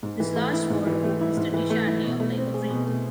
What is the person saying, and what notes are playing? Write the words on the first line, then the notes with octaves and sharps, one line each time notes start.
This last word woke Mr. de Charny up like a dream.
G#2
E3
A3
E4
G#2
E3
A3
E4
G#2
E3
A3
E4
B2
A3
C4
G#4
B2
A3